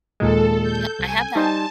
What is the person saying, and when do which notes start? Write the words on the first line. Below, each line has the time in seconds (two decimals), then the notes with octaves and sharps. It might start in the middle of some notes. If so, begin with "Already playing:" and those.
Yep, I have that.
0.20 D#2 A#2 G#3 A4
0.62 G6
0.99 C2 G#5
1.35 G3 D#4 C5 A5